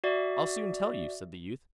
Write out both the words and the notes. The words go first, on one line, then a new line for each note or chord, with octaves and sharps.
I'll soon tell you', said the youth.
F#4 D5 E5